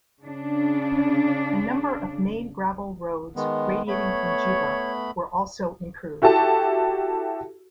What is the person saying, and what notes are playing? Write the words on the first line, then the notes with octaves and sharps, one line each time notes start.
A number of main gravel roads radiating from Juba were also improved.
C#3 D4
D#3 G#3 B3
A3 B3 C#5 B5
E4 F#4 G4 A4 A5